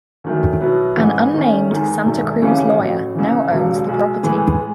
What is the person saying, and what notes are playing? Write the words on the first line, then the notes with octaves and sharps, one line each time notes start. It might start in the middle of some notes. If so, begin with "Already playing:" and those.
An unnamed Santa Cruz lawyer now owns the property.
E2 D#3 F#3 A3
B2 F#3 B3 E4
A1 G#2 E3 B3
E2 D#3 A3 C#4
E2 D#3 G#3 D#4
E1 E2 D#3 A3
D#2 C#3 E3 A3 C#4
A1 A2 F#3
C#2 C#3 E3
E1 D#2 C#3 F#3
B1 B2 G#3
A2 E3 G#3 B3
G#3